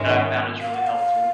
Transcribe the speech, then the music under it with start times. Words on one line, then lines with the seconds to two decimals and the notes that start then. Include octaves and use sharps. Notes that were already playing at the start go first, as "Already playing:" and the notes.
that I found is really helpful.
Already playing: G#2 D#3 G#3 C#4 E5
0.61 F5
0.74 F#5
0.87 F5